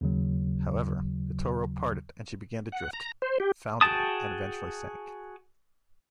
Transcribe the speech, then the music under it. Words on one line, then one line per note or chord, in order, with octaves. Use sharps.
However, the tow rope parted and she began to drift, foundering, and eventually sank.
D#2 C#3 F#3
F#5
A#5
C5
G4
F#4 G#4 G5 A5 D#6